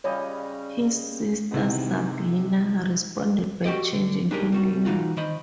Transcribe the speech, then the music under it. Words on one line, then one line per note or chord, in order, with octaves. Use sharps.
His sister, Sabina responded by changing her name.
C#3 G3 C#5 D#5
C3 D#3 E3 G#3 B3
F#4 G4 D5 D#5
D3
D4 D#4 G4 G#4 A#4
G3 F#4
E3 D#4 F4 F#4
D#3 C5 D#5 B5